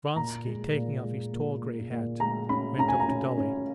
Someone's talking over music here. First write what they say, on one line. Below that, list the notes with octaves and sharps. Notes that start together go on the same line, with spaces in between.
Vronsky, taking off his tall gray hat, went up to Dolly.
A#2 A#5
G#3
A#2
G#3
A#2
A#2
A#2
G#3 A#5
C#4 B5
C#4 A#5
G#5
A#5
C#4
C#4